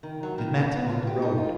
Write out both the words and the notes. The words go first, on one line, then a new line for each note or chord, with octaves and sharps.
They met on the road.
D#3
F#3
D#3
G#2
B3
F4
G4
D#4
F4